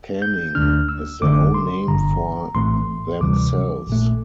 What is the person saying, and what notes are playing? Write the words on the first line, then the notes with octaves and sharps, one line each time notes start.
"Caning" is their own name for themselves.
G6
D2 D3 A3 D4 F6
E6
G1 F2 D3 A3 D6
C6
G1 G2 D3 A#5
A#1 A2 E3 A3 C4 C6
D2 C3 E3 G3 D6
A#1 A#2 A3